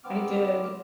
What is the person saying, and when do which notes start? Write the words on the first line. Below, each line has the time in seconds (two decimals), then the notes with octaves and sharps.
I did.
0.04 B3 C4 D6 F6